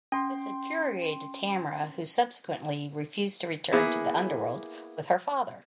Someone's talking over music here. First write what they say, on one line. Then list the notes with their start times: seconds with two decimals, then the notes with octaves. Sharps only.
This infuriated Tamara, who subsequently refused to return to the underworld with her father.
0.12 C#4 G5 C6
3.72 A#3 B3 E4 G#4